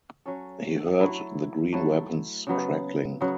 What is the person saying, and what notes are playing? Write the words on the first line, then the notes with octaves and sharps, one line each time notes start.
He heard the green weapons crackling.
F#3 C#4 A4
F#3 A3 E4 A4
F#3 A3 E4 A4
C#3 F#3 B3
C#3 F#3 B3